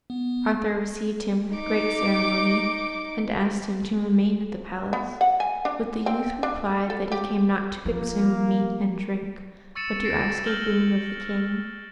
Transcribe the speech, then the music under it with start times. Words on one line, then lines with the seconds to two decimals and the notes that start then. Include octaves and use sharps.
Arthur received him with great ceremony, and asked him to remain at the palace; but the youth replied that he came not to consume meat and drink, but to ask a boon of the king.
0.10 B3
1.54 D#4 D6
4.93 B3
5.21 F#5
5.40 G#5
5.65 D4
6.06 C4
6.43 D4
6.90 A4
7.12 G4
7.86 F3 A#3
9.75 C#6 E6 A6 C#7 D#7 E7
10.04 A6 A#6 C7 D7
10.46 F6 G6 A#6 F#7 G7